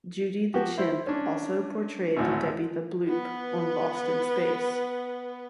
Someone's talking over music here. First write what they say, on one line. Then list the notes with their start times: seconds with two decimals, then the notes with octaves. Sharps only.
Judy the Chimp also portrayed "Debbie the Bloop" on "Lost in Space".
0.54 F3 F#4 G4
0.78 E4 C5
1.07 C#4 D4
2.17 G#1 D2 A2
3.07 B3 B4